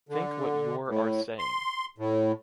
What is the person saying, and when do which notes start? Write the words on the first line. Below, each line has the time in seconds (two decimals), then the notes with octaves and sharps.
Think what your are saying.
0.09 D3
0.88 A2
1.39 C6
1.98 A2